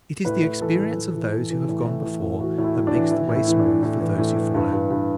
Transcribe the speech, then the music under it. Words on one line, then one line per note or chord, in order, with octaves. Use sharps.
It is the experience of those who have gone before that makes the way smooth for those who follow.
A2 B4
A2
E3 A4
A2
E3
E3
E3
E3
A2
A2
E3
A2
E3 F#4
A2
E4
A2
D4
E3
E3 E4
A2
E4
E3
D4
E3
A2
E3
A2
E3
G2
G2
G2